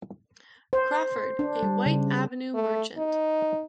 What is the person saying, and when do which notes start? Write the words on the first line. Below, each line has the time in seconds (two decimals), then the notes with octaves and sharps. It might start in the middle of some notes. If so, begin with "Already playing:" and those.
Crawford, a Whyte Avenue merchant.
0.73 C5
1.39 D4
1.63 G3
1.86 C#3
2.54 A3
2.98 D#4